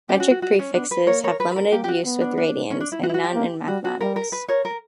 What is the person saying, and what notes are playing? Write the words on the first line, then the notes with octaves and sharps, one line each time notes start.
Metric prefixes have limited use with radians, and none in mathematics.
C#4 G4
F#4
F#4
F#4
C#4
B3 D4
B4
A#3 A#4 C#5
A#4 C#5
B4
B4
A#4
A#3 G4
G4
F#4
B3
D4
D4
C#4
D4
E4
F#4
E4
F#4
G4
A#3
G3 F#4
F#4
G3 A#4
A#4
B4
A#4 C#5
A#4